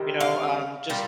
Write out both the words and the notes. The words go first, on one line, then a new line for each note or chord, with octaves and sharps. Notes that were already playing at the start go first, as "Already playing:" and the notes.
you know, um, just
Already playing: C3 D#3 G3
F5
A#2 G3